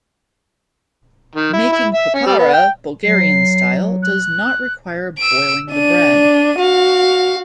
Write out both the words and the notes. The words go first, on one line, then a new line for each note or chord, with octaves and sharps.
Making "popara" Bulgarian style does not require boiling the bread.
D#3
E4
E4
E5
C#4
G3
B3
G5
F#3 C7
F#6
E6 D7
D4 D#7
F#4 F5